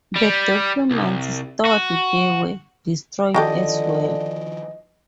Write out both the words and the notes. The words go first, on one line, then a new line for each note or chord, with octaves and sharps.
The documents stored there were destroyed as well.
G3
C2
F#4
D3 D#3 F3 F#4 G4 A4 D#5